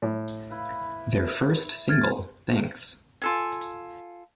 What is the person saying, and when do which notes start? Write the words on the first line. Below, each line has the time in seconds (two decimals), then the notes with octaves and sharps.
Their first single, Thanks!
0.02 A2
0.49 E4 B4 F5
1.89 F6 G#6 A6
3.22 F4 A4 G#5